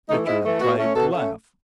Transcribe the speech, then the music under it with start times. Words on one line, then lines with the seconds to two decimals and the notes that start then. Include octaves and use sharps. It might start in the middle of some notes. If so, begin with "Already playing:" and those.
Richard tried to laugh.
0.09 E3 A3 D#4
0.27 G#2 E4
0.44 E3 A3
0.61 B2 F#4
0.78 A3 C#4
0.95 B2 A4
1.12 A3 C#4